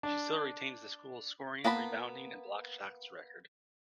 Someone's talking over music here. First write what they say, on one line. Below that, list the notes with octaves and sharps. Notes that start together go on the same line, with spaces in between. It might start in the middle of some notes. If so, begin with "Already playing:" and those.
She still retains the schools scoring, rebounding and blocked shots record.
D4
A#3 B3 A5 B5